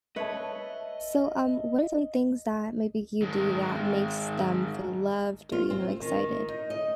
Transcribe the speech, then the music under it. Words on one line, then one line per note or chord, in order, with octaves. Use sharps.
So, um, what are some things that maybe you do that makes them feel loved or, you know, excited?
B4 C#5 D#5 E5 A5
D#3 G#3
F4
C4
D#3
D#4
D#5